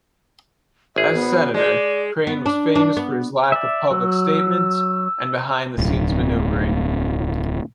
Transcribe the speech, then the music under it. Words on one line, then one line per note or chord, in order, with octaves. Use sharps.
As Senator, Crane was famous for his lack of public statements, and behind-the-scenes maneuvering.
G#1 G#4 E5
B3
G#3 D5
B3
D4
D4
B3
D5 E5
F#3 E6
D1 B1